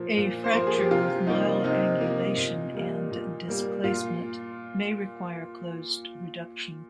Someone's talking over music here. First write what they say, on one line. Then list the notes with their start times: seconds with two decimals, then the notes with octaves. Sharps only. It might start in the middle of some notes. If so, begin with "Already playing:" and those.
A fracture with mild angulation and displacement may require closed reduction.
Already playing: A#2 F3 A#3
0.17 A#2
0.44 C5
0.54 F3 A#3 A#4
0.67 G#4
0.78 G4
0.91 C3 F4
1.27 F3 A#3 D#4
1.64 C3 D#4
2.01 F3 A#3
2.37 A#2
2.73 G3 A#3
3.11 A#2
3.48 G3 A#3
3.84 A#2 F4